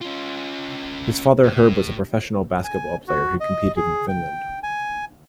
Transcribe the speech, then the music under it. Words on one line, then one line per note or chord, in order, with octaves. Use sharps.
His father Herb was a professional basketball player who competed in Finland.
C#4 F4
A2
G#5
F#4
D#5
G#4
G5
G#5